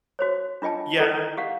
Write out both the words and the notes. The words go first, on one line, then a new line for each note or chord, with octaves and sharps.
yeah, and, I
F#4 C5 C#5
D4 F4 D#5 G5 A5
E4 A4 D5 D#5
G4 F5 F#5